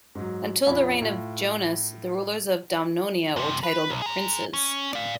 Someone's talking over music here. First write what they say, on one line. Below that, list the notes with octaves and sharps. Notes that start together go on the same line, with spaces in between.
Until the reign of Jonas, the rulers of Domnonia were titled princes.
G#2 F#3
A#1 F2 C#5 B5
A2 F4
F#2 C3
B4
B1
G#4 A#5
C#4
D5 F5